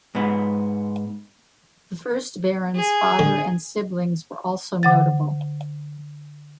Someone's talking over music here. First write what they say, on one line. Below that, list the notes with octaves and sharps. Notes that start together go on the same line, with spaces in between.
The first Baron's father and siblings were also notable.
G#2 B3
G#4
D3
D3 F#5 A6